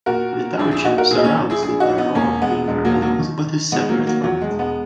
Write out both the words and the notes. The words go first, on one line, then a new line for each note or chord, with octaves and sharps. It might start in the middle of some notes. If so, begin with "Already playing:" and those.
The township surrounds the borough of Beaver Meadows but is separate from it.
A#2 F#4 A#4
A#2
A#1 E4 G#4
E4 G#4
A#2 D#4 F#4
F#4 A#4
A#2 E4 G#4
D#4
A#3 C#4
A#1
E4 G#4
A#1 E4 G#4
D#4 F#4
A#1
B3 D#4
E1 A#3 C#4
E1 G#3 B3
E1 G#3
F#3 A#3
D#2
F#3 A#3
D#3
D#3
D#3 G#3 B3
F#3 A#3
D#3
F#3 A#3
E2 F#3
G#3
E1
G#3 B3